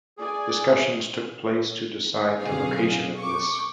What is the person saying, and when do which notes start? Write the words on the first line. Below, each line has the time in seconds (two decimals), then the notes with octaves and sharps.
Discussions took place to decide the location of this.
0.17 G#4 D5 G#5
2.40 F2 B2 D3 F#3 G#4 F5
3.20 C#6 D6